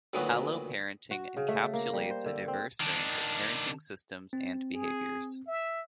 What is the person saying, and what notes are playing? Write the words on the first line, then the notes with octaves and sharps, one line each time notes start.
Alloparenting encapsulates a diverse range of parenting systems and behaviours.
D2 A#2 D#3 F#3 B3
F#4
C#3
A3
A#3
G3
C5
D3
C4
D#3 D4
C4
G#4
E5